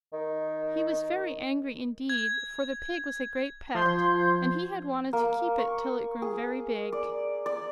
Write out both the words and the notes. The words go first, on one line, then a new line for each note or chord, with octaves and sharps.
He was very angry, indeed, for the pig was a great pet, and he had wanted to keep it till it grew very big.
D#3
G#6
F3 C6 G6
A#3
C#6
G#4
D5
D5